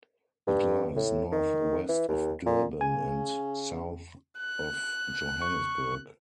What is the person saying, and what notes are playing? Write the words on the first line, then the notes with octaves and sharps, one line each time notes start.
It lies north-west of Durban and south of Johannesburg.
G2
A2
D#3
E3
D#2
A#2
C#3 G#5
F#6
C#6